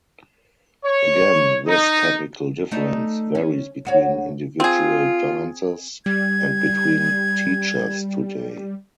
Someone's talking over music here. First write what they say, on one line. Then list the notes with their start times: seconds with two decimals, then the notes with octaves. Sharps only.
Again, this technical difference varies between individual dancers, and between teachers today.
0.85 C#5
1.67 D#4
2.71 A3 D#4 D5
3.35 C#4
3.85 D2 F#4 C#5
4.60 C4 F4 G#4
6.06 G3 G#6